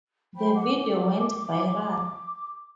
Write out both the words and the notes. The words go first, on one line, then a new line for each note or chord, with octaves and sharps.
The video went viral.
C5 G5 B5
F#5 D6
D6